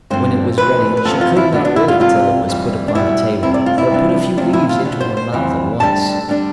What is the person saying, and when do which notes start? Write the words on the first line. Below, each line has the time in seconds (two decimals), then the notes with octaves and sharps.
When it was ready, she could not wait till it was put upon the table, but put a few leaves into her mouth at once.
0.10 G2 D3 F3 C4 C5
0.58 D2 D3 F3 B4
0.97 B4
1.05 E2 C3 F3 B3 A4
1.21 F4
1.37 E4
1.52 B2 B3 D4
1.65 D4
1.76 E4
1.88 F4
2.00 C3 G3 C4 F4
2.48 F2 E3 G3
2.88 D4
2.95 B2 G3 B3 E4
3.43 C3 G3 C4 E4
3.54 D5
3.66 F4
3.78 E4
3.90 C3 G3 B3 D4
4.37 C3 F3 A3 C4 D4
4.53 E4
4.69 F4
4.85 B2 B3 D4
5.01 C5
5.17 C5
5.32 F2 E3 G3
5.79 D2 D3 G3 D4 A5
6.28 D3 G3 B3 D4